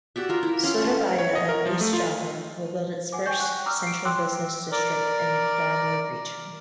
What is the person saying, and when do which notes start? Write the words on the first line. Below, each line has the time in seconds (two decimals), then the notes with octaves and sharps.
Surabaya of East Java, will build its first central business district in Darmo region.
0.16 F#4 G4 D5 E5
0.29 F4 A#4
0.43 E4
0.63 C#4 F4 F5
0.78 C#5 A5
1.19 C#5
1.35 D#5
1.49 A#4
1.66 F3
1.81 A3
1.93 F4
3.12 F#5 G#5 D6
3.26 G5 G#5 C#6 G6
3.39 F#5 C#6 F#6
3.66 A#5 D6 E6 F6
3.83 C7 D7
4.05 G5 C6 D6 E6 F#6
4.72 A#4 D5